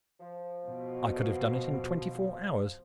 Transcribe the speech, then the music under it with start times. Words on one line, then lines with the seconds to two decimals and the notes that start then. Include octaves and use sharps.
I could have done it in twenty-four hours.
0.20 F3
0.66 B2